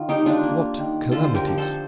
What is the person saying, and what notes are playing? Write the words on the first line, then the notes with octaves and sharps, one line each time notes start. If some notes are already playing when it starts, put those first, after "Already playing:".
What calamities?
Already playing: D#3 F4
G3 D#4 G4
D4 F4
A#3
D#3
D3 F4 A4
C5
G4 A#4
F3
A4 C5